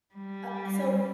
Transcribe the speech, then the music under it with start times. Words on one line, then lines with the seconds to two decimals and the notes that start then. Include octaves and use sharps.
Uh so,
0.14 G3